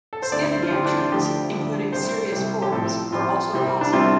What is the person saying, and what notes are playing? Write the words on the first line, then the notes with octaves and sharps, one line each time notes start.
Skin reactions, including serious forms, are also possible.
A4
C5
D2 D3 A3 C4 D5
C5
F4
D2 D3 A3 C4 G4
D4
F4
D2 D3 F3 A3 G4
D2 D3 F3 A3
C2 C3 G3 C5
C2 C3 G3
G4
A1 A2 F3 C4 A4
A1 A2 F3 C4 F4
C2 C3 G3 C4
D4
C2 C3 G3 C4 F4